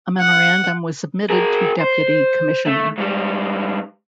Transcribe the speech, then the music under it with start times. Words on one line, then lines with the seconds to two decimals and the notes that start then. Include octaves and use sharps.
A memorandum was submitted to Deputy Commissioner.
0.19 F#5
1.30 G#4 A#4
1.81 C5
2.67 A3
2.98 G#2 G3